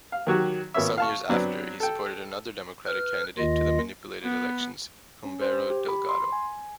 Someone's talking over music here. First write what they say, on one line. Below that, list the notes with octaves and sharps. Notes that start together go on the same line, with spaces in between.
Some years after he supported another democratic candidate to the manipulated elections, Humberto Delgado.
F5
D#3 F#3 F#4 G4
G#1 A#3 B3 C#5 E5
F5 A5 C#6
F#3 B3 C4 D4
A4 G5
B4 F6
D#2 D#3 F4 D#5
B3
C#4
C5
G4
B5
C6
G#5